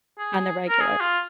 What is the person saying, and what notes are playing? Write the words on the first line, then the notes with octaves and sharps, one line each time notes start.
on the regular.
G#4
A#4
G#4
F4